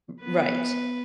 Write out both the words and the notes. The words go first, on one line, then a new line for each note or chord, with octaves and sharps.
R right.
B3 B4